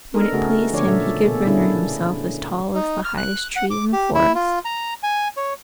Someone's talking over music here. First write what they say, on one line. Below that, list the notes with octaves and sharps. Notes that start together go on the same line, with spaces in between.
When it pleased him he could render himself as tall as the highest tree in the forest.
B3 D4 D#4 A4 A#4
C#3 A3 F#4 G#4
D3 F3 C#4 C#5 D5
A#2 A4 E5
B2 A#3 G#4 A4
D3 C#4 D4 E4 G#4 A4
D#4
F6
F#6
F#5
D6
G4
E4
F4
A#5
G#5
C#5